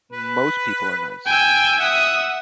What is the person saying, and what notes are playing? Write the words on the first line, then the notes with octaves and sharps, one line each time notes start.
most people are nice,
B4
G5 G#5 E6
E5 F#5 D#6